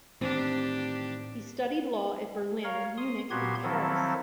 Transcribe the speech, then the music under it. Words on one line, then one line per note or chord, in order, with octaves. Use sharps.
He studied law at Berlin, Munich, and Paris.
A2 D#3 E3 C4 D4 G4
A#4 C#5 F5
C6 D#6
A#2 B3 F#4 G4 C6 G#6
D#3 F3 F#3 C4 E4 A4